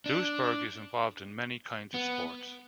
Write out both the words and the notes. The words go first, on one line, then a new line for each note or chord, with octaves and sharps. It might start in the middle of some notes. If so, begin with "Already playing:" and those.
Duisburg is involved in many kinds of sports.
D4
B3